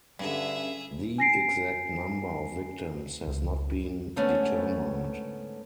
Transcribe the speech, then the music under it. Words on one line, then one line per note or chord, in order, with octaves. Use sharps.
The exact number of victims has not been determined.
G2 D3 C#4 G#4 E5
G#5 A#6 C7 D7
C#2
G#2 D3 A3 B3 C#4